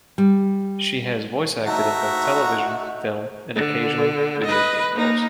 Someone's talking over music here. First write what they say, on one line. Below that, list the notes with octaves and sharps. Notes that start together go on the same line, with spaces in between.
She has voice acted in both television, film and occasionally video game roles.
G3
A3 D#4 F#4 E5 A#5
D3
B4 D#5
A#3 D#4